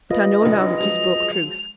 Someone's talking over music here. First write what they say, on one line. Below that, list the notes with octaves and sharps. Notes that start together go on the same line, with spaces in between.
But I know now that you spoke truth.
F4 B4 D#5
F1 A#1
F3 F#3 G#3 F7